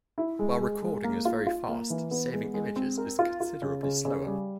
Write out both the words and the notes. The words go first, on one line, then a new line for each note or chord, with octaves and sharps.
While recording is very fast, saving images is considerably slower.
E4
G#3
G#3
G#3
A#3
F4
F4
A#3
E3
B3
G#3
G#3
C4
A#4
F4
F4
C#3
C#3
C#3
G3